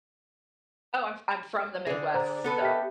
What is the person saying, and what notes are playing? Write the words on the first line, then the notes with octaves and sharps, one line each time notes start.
Oh, I'm I'm from the Midwest, so
D3 G#4 D5
C5 A#5
B3 A4 B4
G4 E5 B6